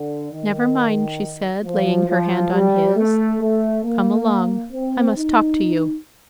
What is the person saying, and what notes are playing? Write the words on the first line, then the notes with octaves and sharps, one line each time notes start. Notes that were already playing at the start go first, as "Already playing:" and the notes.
"Never mind," she said, laying her hand on his, "come along, I must talk to you."
Already playing: D3
D#3
F3
F3
G3
A3
A3
A#3
C4
D#4